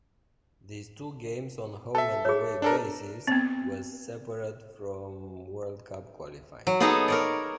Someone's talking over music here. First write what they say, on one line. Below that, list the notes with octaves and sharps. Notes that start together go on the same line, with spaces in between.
These two games on home-and-away basis was separate from World Cup qualifying.
A4 E5 A5
G#4 C#5
D4 A4 A#4
B3 C4
F#3
B3 D#4 G#4 A4 A5 A#5
A#4 C#5 D5